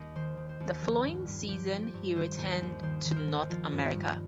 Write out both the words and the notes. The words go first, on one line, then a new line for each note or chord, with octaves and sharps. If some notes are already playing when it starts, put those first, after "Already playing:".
The following season he returned to North America.
Already playing: D#2 D#5
D#3 C5
D#3
C5
D#2
F3 A#4
G2
G2
F3 G4
F3
G4
G2
D#3 C5
D#2
C5
D#2
D#3 C5
D#3
C5
A#4
D#2
F3 F4
G2
D#4
G2